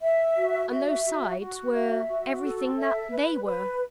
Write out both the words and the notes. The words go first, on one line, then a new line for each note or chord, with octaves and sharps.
And those sides were--everything that THEY were!
E5
F#4
E5
F#4
F#4
E5
F#4
A4
E5
B4
B4